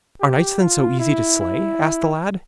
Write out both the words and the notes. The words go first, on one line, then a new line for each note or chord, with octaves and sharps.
'Are knights then so easy to slay?' asked the lad.
G4
F4
E4
E4